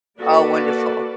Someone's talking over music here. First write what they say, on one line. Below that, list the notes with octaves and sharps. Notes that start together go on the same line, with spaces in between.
Oh, wonderful.
A#3 F#4 A4 B4 D5